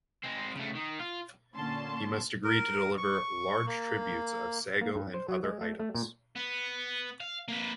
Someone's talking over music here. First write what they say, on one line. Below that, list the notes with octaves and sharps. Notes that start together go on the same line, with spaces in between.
He must agree to deliver large tributes of sago and other items.
G#3 C4
C#3 A3
D#3
F4
A#2 D3 C#4 A5 C6
A#4
C#6
A#3
A#3
G2
C5
F#3
G#3
A3
A3
A#2
B3
F5
A#3 B4